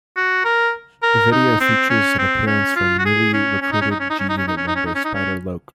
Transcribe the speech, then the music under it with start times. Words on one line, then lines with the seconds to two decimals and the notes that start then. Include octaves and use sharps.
The video features an appearance from newly recruited G-Unit member Spider Loc.
0.16 F#4
0.45 A#4
1.02 A#4
1.32 D#4
1.60 C4
1.90 C#4
2.19 C4
2.47 C#4
2.76 F4
2.99 F#4
3.05 G#4
3.33 C#4
3.62 C#4
3.72 D#4
3.81 C#4
3.91 D#4
4.00 C#4
4.10 D#4
4.19 C#4
4.29 D#4
4.38 C#4
4.48 D#4
4.57 C#4
4.67 D#4
4.76 C#4
4.86 D#4
4.95 C#4
5.05 D#4
5.14 C#4